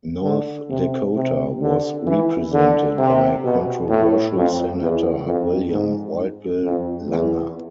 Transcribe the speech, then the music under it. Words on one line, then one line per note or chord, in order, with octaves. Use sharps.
North Dakota was represented by controversial Senator William "Wild Bill" Langer.
D3
C3
C3
D3
E3
D3
C3
B2
A2
F2
E2
F2
G#2
F2
E2